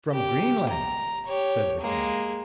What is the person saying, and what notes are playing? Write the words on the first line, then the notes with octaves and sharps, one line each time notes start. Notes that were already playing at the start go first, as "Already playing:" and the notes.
"From Greenland!" said the king.
G4
A#5
G4 C#5
G#3 A#3